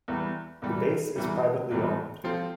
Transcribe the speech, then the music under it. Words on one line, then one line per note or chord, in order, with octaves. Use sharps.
The base is privately owned.
E2 E3 G3
E2 E3 G3
E2 E3 G3
E2 E3 G3
F3 C4 F4 A4